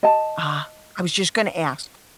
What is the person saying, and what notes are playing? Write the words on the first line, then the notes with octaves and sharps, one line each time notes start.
Ah, I was just gonna ask.
D#5 A5